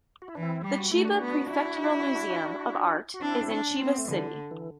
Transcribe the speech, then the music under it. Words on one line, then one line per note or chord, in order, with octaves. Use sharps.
The Chiba Prefectural Museum of Art is in Chiba City.
F#4
E4
E3 D4
C4 E4
G3 G4
F#4
A3 E4
D4 F#4
B3
E4
F#4
C4 D4 E4
D4
C4
B3
A3
D3 E3 G3
E3